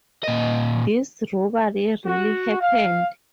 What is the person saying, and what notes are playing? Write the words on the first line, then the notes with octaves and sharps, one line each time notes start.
This robbery really happened.
A#2 D#5
F#4
F5